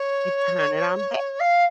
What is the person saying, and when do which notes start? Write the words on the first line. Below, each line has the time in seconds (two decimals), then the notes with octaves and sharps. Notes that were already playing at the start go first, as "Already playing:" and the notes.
You turn it on back.
Already playing: C#5
1.40 F5